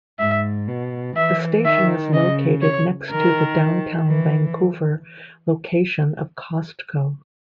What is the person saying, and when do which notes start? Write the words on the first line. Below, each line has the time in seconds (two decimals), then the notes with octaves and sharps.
The station is located next to the Downtown Vancouver location of Costco.
0.19 G#2 E5
0.68 B2
1.16 E3 E5
1.65 D#3 E5
2.14 C#3 D#5
2.62 C#5
3.11 D#3 A#4
4.07 E3